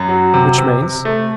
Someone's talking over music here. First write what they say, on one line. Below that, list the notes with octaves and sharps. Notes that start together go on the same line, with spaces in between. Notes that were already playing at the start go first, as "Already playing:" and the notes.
"Which means?"
Already playing: F#2
F#3
C3
C3
C3
A3